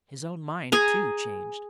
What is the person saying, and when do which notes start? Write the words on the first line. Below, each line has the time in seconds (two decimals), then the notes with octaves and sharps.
His own mind, too, changed.
0.72 G#4 G#5 A#5